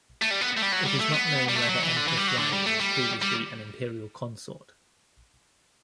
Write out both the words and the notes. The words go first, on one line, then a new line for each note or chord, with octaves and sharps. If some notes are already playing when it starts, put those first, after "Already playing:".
It is not known whether Empress Wang was previously an imperial consort.
A3
G3
B3
A3
G3
F#3
G3
A3
B3
G3
A3
F#3
E3
D3
E3
G3
F#3
D3
G3
A3
G3
G3